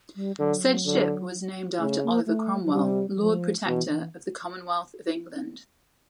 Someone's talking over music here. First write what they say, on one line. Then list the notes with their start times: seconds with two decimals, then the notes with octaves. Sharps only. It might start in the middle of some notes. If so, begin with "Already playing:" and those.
Said ship was named after Oliver Cromwell, Lord Protector of the Commonwealth of England.
0.16 G3
0.39 D3 F#3
0.86 D3
1.79 C#3 A3
2.03 A#3
2.26 A3
2.65 F#3
2.73 C3 G3
3.15 F#3
3.20 F3
3.67 B2 E3
3.90 E3